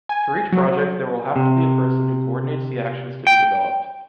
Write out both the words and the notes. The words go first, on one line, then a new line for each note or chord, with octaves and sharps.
For each project there will have to be a person who coordinates the actions to be developed.
G#5
F#3
C3
G5